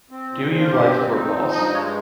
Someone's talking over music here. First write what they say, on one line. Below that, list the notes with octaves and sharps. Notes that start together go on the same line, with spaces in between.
Do you like your boss?
C4
A#2
F3
F4
G2 G4
C4
D#4
F3
G2 D#5
D#5
G#3 C#5